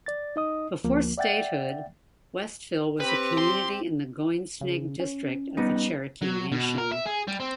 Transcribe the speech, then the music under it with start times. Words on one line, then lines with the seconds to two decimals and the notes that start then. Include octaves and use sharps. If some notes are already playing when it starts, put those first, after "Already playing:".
Before statehood, Westville was a community in the Goingsnake District of the Cherokee Nation.
0.06 D5 A6
0.36 D#4 D#5 D#6
0.84 D2 F3 A#3
1.18 D5 E5 F#5 G5 A6
3.00 C4 G4 B4
3.38 C6
4.61 C#3
5.00 C#4
5.57 G3 B3 D#4
6.22 F#3
6.52 B2
6.78 A#4
6.93 E5
7.06 G#4
7.28 G3
7.40 C4